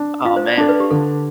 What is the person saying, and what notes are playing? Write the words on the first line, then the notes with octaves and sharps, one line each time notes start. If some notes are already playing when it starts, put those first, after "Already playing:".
Oh, man,
Already playing: D4
F4 F5
C5
D5
D4 A4
B4
G4
D3 A4